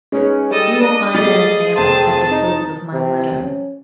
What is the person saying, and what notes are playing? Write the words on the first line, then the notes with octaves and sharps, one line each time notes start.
You will find an example at the close of my letter.
G#3 C#4 D#4 B4
G3 A4 D#5
D4 D#5
G3 A3 G#4 D#5 A6
F1 A3 C4 A5 C6
D#4
C3
C#4